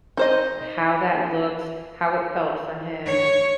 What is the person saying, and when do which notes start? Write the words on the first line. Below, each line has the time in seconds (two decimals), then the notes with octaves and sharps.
How that looks, how it felt for him,
0.17 D#4 C5 D#5
3.06 C#5